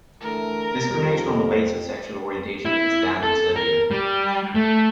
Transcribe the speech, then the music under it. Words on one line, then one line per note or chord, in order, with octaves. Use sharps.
Discrimination on the basis of sexual orientation is banned in Serbia.
D3 E3 A3 A#4
F2 G3
E4
A4
A#4
G3
A3